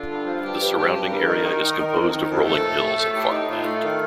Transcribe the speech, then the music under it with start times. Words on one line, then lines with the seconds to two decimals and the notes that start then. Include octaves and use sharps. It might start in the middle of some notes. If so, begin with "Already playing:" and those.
The surrounding area is composed of rolling hills and farmland.
Already playing: D3 F4
0.09 G2
0.26 F3
0.44 G2 G4
0.60 G2
0.78 G2 G4
0.94 G2
1.11 G3 A#4
1.27 D#3
1.45 D#3
1.62 D#3
1.79 D#3
1.95 F2
2.12 D#3
2.30 F2
2.46 A3 A4
2.63 A2
2.81 A3
2.97 A3
3.14 A2 G4
3.31 D#4
3.48 A2 F4
3.65 A3
3.83 D#3